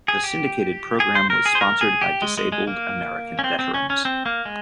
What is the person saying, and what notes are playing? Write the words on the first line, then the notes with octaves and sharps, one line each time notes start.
The syndicated program was sponsored by Disabled American Veterans.
G#4
G4
G#4
C5
A#4
G#4
C5
A#4
G#4
G4
G#3
G#3
G#3
A#3
C#4
C4
C4
C#4
C#4
C4
A#3
G#3